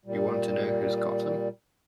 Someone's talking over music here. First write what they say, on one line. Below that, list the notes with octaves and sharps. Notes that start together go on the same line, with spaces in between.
You want to know who's got 'em?
A#2 G3